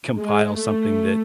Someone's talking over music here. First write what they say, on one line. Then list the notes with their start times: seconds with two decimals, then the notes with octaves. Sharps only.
compile something that,
0.19 G#3
0.58 A3